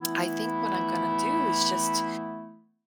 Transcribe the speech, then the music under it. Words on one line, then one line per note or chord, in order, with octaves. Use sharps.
I think what I'm gonna do is just
E3 A3 B3 E4